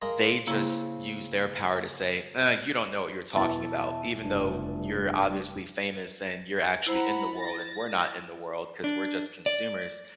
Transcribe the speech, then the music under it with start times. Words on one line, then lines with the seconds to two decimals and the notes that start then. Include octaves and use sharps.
they just use their power to say, "Ah, you don't know what you're talking about. Even though you're obviously famous and you're actually in the world and we're not in the world, 'cause we're just consumers,
0.02 G#3 A#3 A#5
0.47 C#3 A#3 C4 E4 G#4
3.35 E2 B2 E3 E5 A5
4.24 F1 G2
6.86 E4 C5 F#5 A#5 B5 E6
7.36 A6 A#6
8.84 D4
9.46 D5